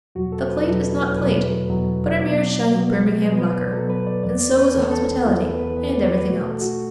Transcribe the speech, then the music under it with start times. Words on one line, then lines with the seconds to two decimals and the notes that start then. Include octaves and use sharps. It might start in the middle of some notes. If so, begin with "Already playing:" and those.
The plate is not plate, but a mere shiny Birmingham lacquer; and so is the hospitality, and everything else.
0.15 E2 B2 F#3 F#4
0.32 A4
0.49 B4
0.66 E2 B2 F#3 A4
0.83 E4
1.00 E4
1.17 E2 B2 F#3 B4
1.68 E2 B2 F#3
2.20 B2 F#3 B3 D5
2.71 B2 F#3 B3
3.21 B2 F#3 B3 B4
3.38 B4
3.56 D5
3.73 B2 F#3 B3 A4
3.90 B4
4.07 D5
4.23 E2 E3 B3 D5
4.41 D5
4.57 B4
4.75 E2 E3 B3 A4
4.91 A4
5.25 E2 E3 B3 E4
5.43 B4
5.59 B4
5.76 E2 E3 B3 B4
5.89 D5
6.02 D5
6.14 B4
6.27 B2 A3 F#4
6.45 A4
6.62 F#4